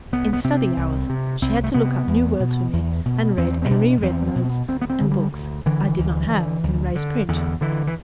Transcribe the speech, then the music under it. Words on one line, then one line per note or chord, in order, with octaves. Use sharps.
In study hours she had to look up new words for me and read and reread notes and books I did not have in raised print.
C2 B3
B3
C3 C4
C2
C3
C2 C4
A3
C3 B3
E2
B2
E2
B2
E2 C4
C4
B2 D4
E2 C4
B2
D2 C4
B3
C4
D3
G3
D2
D3 E3
D2
D3
D2
D3
E2 D3
D3 E3
E3